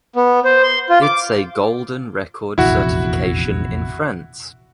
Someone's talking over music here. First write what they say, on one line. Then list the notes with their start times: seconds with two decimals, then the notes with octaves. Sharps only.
Its a golden record certification in France.
0.16 B3
0.45 C5
0.63 C6
0.89 F4
1.02 D6
2.58 F1 A#1 E2 E4 F#4